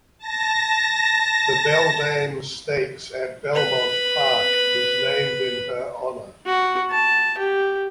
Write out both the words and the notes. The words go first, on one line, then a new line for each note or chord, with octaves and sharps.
The Beldame Stakes at Belmont Park is named in her honor.
A5 A#6
B4 B5
F#4
A5
G4